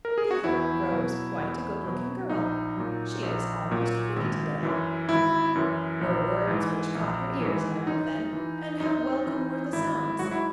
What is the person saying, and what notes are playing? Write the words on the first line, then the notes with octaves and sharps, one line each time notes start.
"Catherine grows quite a good-looking girl--she is almost pretty today," were words which caught her ears now and then; and how welcome were the sounds!
A#4
G#4
F#4
E2 E4
B2 F#3
E2
B2 F#3
A#1 D#4
A#2 F#3
A#1
A#2 F#3
G#1
F#2 E3
G#1 E4
F#2 E3
A#1
G#2 E3
A#1
G#2 E3
F#2 D#4
E3
F#2 D#4
E3
G#1 E4
G#2 F#3 F#4
E4